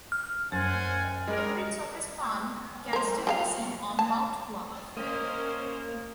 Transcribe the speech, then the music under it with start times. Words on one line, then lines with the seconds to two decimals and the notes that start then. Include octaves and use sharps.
Imprints of his palm can still be seen on Mount Hua.
0.12 F6
0.52 F#2 C5 F#5 G#5 A6
1.28 G3 G#3 G#4 A#4
2.93 A#4 C5
3.27 G3 A4 F5
3.99 A5
4.97 A#3 C#4 A#4 C5 D#5